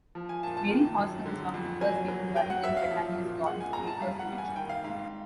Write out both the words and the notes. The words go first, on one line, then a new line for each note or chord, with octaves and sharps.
Mary Hauser was one of the first people buried in Bethania's God's Acre cemetery.
F3
G#5
A#2 A5
A5
D#3
F#2
D3
F2
F#3 G#5
F#3
F#3 G5
F#5
F#3 E5
F5
F3
A#2
G#3 F#5
G#5
G#3 A#5
A5
G3 F5
F#5
G3
G#5
D#3 G5
F5
G#2 F5